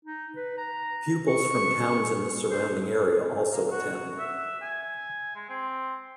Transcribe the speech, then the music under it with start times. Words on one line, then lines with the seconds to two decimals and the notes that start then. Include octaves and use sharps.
Pupils from towns in the surrounding area also attend.
0.05 D#4
0.36 B4
0.58 A#5
1.28 C#6
2.51 C5
3.51 A#3
3.71 F#4
4.19 E5
4.62 G#5
5.35 G#3
5.49 C4